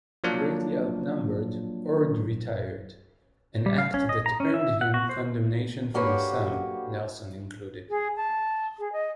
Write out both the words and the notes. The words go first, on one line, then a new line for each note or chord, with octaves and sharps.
Greatly outnumbered Orde retired, an act that earned him condemnation from some, Nelson included.
F3 F#3 A#3 D4
G3
F5
C#4
D#5
A#5
C#4
E5
F#5
F#4
C5
D3 A#3 F#4 G4 B4 C#5
G#4
A5
G#4
D#5